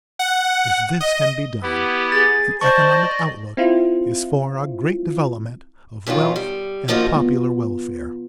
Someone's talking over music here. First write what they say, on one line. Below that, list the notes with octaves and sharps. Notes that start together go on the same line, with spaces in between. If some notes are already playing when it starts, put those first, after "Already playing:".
If this can be done, the economic outlook is for a great development of wealth and popular welfare.
F#5
D#5
B3 E4 G4
G#4 A6
C5 D5 D#5 A5 C#6
C4 E4 F4
F#2 B2 D#3 F4
G3
D3 F3 A#3 D#4 F4 F#4
B3 F4